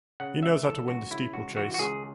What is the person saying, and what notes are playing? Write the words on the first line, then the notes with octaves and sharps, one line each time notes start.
He knows how to win the steeplechase.
C#3 F#5
C#2 E5
E3 A4
C#2 F#4
C#3 E4
C#2 F#4
E3 F#4
F#4
C#2 G#4